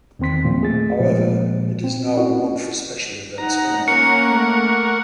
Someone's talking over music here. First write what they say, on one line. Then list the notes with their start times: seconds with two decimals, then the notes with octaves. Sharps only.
However, it is now worn for special events only.
0.19 E2 D#3 C4 C6 B6
0.45 A#2 F3 F#3 A#3
0.61 A3 G#4 A6
1.00 A#2 F3 G#3
1.84 C4
2.17 C#4 E4 F#4
3.38 D#4 F#5 A#5
3.88 A#3 C#4 A#4 F#5 A#5 C#6 C#7
4.32 A3